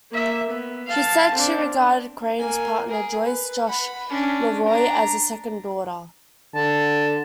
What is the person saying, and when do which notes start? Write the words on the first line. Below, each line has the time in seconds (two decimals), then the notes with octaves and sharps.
She said she regarded Crane's partner, Joyce "Josh" LeRoy, "as a second daughter".
0.11 A#3 E5
0.48 B3
0.87 F5 A5
1.34 C4 D4
2.38 A#3 G#5
2.89 G#4 A#4
3.23 B4
3.68 F#5 B5
4.08 C#4 D4
4.68 D4 A#5
6.55 D3 A5